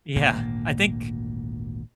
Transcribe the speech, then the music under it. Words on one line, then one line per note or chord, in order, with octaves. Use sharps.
Yeah, I think,
G#1 D2 A#2 A#3